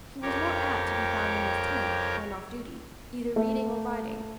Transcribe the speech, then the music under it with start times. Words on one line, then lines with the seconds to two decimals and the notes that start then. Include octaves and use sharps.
He was more apt to be found in his tent, when off duty, either reading or writing.
0.22 F2 G4 A#4 C#5 D6
3.36 A3